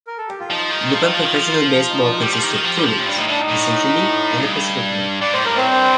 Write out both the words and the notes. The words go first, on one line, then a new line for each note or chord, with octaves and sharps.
Nippon Professional Baseball consists of two leagues, the Central League and the Pacific League.
A#4
A4
G4
F4
F3 D#4
D#3
F3 F4
D#4
D#3 F4
F3
D#3
F3
D#4
D4
D#4
G3 G4
F3
D#3
D#3
F3
G3
F3
A2
G2
A2 D#4
A2 D4
D#4
A2
G2
G2 D5
A2 C5
G2 A#4
A2 C4 C5
G2